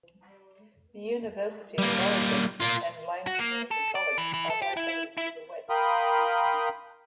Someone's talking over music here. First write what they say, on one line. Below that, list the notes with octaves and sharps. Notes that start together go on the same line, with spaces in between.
The University of Oregon and Lane Community College are located to the west.
G3 A#3
A#3 F4
F#4
A#3
A4
D5
E3
E3
A4
G4
E4
E4
A#4 F5 G5 B5 C6 D#6